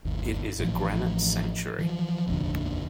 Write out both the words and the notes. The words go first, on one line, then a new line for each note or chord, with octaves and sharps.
It is a granite sanctuary.
G1 D#2
A1 F3
E3 F3
F1 A#1 D#2 D3